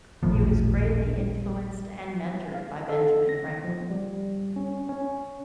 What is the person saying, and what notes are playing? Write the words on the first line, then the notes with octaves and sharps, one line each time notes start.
He was greatly influenced and mentored by Benjamin Franklin.
D#1 A1 A2 F3
F5
A4
A#6
F3
G3
C#4
C#4